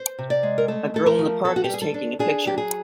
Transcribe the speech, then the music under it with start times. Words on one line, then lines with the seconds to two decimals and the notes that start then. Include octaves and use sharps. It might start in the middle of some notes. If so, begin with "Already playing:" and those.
A girl in the park is taking a picture.
Already playing: C5
0.19 C3
0.30 D5
0.43 G#3
0.58 A#4
0.68 A3 A4
0.94 A3 A4
1.06 A#4
1.19 F3
1.44 B3 A4
1.56 F#4
1.64 G4
1.69 G3 G#4
1.82 A4
1.94 D4
2.19 D4 G#4
2.46 F#3 G4
2.58 G#4